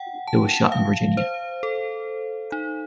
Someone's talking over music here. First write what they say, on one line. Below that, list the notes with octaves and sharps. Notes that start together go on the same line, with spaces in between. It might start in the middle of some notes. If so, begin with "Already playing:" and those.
It was shot in Virginia.
Already playing: F#5 G5
A5
F5
C5
A4
D#4